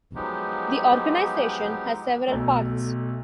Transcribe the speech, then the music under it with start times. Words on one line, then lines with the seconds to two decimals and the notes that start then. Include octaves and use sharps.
The organisation has several parts.
0.15 F3 F#3 G#3 B3 D#4 G4
2.27 B1 A3